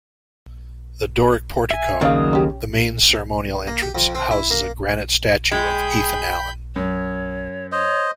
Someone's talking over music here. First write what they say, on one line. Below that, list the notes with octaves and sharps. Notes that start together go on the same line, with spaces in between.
The Doric portico, the main ceremonial entrance, houses a granite statue of Ethan Allen.
E5 G#5
D#2 C#3 F#3 A#3 D5 D#5 F5 D#6
C#4 G4
A#3
G4
F2
C4
E4
A#3
G#3 G#4 G5 B5 G6
F#2 C#5
C5 C#5 D#5